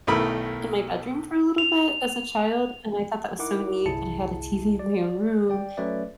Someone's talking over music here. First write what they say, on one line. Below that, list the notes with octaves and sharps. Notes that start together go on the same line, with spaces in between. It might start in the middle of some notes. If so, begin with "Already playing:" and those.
in my bedroom for a little bit, as a child. And, I thought that was so neat that I had a TV in my own room.
B1 D#3 A3 E4 A#4 B5
F7
D#4 E4 A#4 F#5 D6
G1 C2 E4 G#4 A5 C#7
D5
D5 G5
F#3 A3 C#4 B4 D5 E5